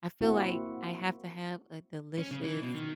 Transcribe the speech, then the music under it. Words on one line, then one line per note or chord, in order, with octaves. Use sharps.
I feel like I have to have a delicious
A#3 C4 E4 F#4
C#4
C#3
E3
B2
D#3